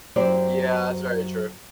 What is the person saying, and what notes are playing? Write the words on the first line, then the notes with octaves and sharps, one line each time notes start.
Yeah, that's very true.
F#2 F#3 G4 C5 D5